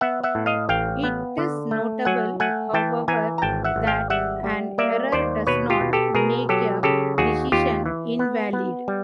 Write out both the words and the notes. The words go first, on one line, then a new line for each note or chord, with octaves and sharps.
It is notable, however, that an error does not make a decision invalid.
B3 E5 F#5
E5 F#5
A2
D#5 F5
A1 F5 G5
B3
D3
A3
F#3 F#5 G#5
A3 F#5 G#5
E3 G5 A5
E3 G#5 A#5
A#5
G#1 G5 A5
E5 F#5
G#1
F5 G5
G3 E5 F#5
G3
A#3 D5 E5
D#2 C5 D5
B2 B4 C#5
F4 G4
B2
G4 A4
B2 G#4 A#4
F#3 G4 A4
C#3 G4 A4
D#2 F#4 G#4
D#2 F4 G4
E3
B3
B3
G3